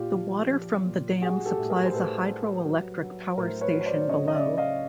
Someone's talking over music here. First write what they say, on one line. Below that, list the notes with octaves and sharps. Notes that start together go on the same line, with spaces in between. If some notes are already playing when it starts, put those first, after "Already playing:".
The water from the dam supplies a hydroelectric power station below.
Already playing: A#2 F4 G4
F3
F3
A#2
G3 F#4 G#4
G4 A4
A2
G#4 A#4
C5
A2 A4 B4
G3
F#3
F#3
A2 A#4 C5
B4 C#5
F#3
C#5
C5 D5
D5
C#3 C#5 D#5
D#5
D5 E5
C#3
D#5 F5